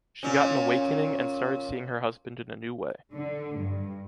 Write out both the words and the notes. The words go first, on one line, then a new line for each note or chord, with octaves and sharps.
She got an awakening and starting seeing her husband in a new way.
A#2 C#4
D3
G2